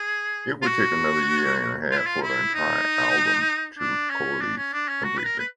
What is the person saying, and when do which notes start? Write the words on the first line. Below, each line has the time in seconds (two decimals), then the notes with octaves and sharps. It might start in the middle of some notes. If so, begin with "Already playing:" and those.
It would take another year and half for the entire album to coalesce completely.
Already playing: G#4
0.62 F4
0.66 F#4
1.91 F4
1.98 E4
2.06 F4
2.22 E4
2.54 D#4
3.79 D4
4.10 C#4
4.41 D4
4.57 C#4
4.72 D4
4.88 C#4
5.04 F#4
5.17 B4
5.24 A#4
5.39 B4